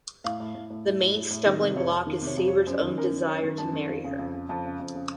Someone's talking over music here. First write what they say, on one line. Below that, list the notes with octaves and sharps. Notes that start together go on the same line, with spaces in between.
The main stumbling block is Saber’s own desire to marry her.
A2 F5
A2
A2
A2
A2
A2
A2
A2
D#3 D#5
C3
F2 C#5
F2
D#3
C3
C#5
F2
C#5
F2
F#2 C5
D#3
F#2 A#4
D#3
F#2 C#5
D#3
F#2 A5
D#3
F2
C#3
F2
C#3
F2 A5
C#3
F2
C#3